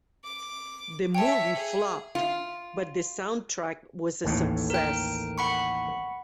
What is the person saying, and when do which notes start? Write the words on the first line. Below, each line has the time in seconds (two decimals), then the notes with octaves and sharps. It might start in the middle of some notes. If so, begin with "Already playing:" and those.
The movie flopped but the soundtrack was a success.
0.23 D6
1.15 C#5 E5 G5 A5
1.53 G#4
2.15 F4
4.24 A1 D#2 A2
4.70 A#4 G5
5.38 F#5 B5 C#6